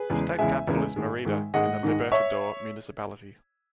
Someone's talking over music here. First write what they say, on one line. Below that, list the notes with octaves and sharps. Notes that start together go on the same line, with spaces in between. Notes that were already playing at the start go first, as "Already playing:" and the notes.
The state capital is Mérida, in the Libertador Municipality.
Already playing: G#4 B4
E2 C#3 G#3
E2 C#3 G#3 E5 G#5
E2 C#3 G#3
G#2 D#3 G#3
G#2 D#3 G#3
G#2 D#3 G#3 D#5 F#5
G#2 D#3 G#3
C#5 E5